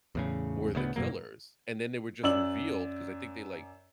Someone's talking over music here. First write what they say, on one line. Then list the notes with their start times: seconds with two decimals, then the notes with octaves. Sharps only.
were the killers, and, then, they were just revealed 'cause I think they, like
0.15 E2 A2 C#3
0.74 D1 D2 C#3 B3
0.96 F#2 B2 F#3 A#3
2.23 F#2 D5 E6 F#7